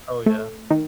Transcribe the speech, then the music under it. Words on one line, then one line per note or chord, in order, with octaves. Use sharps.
Oh, yeah.
A3
D#3